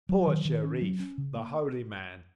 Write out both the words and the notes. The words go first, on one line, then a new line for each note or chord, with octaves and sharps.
Poor Shereef!—the holy man!
F#3
D#3
D#3
C#4
F#3
C#4
C#3
A#3